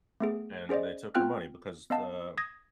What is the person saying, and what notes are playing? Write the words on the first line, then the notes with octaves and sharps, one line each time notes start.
And they took her money because, uh,
A3 B3 G#4
C#4 G#4 C5 D5 D#5
B3 C4 F4 G5 F6 F#6
B3 D#5 F5 A5
D#6 G#6 A#6